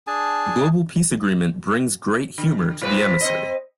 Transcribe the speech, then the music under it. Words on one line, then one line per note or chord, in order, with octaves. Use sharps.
The global peace agreement brings great humour to the emissary.
D4 G#4 G#5 A5
D3
A2 C3 B4
C4 D#5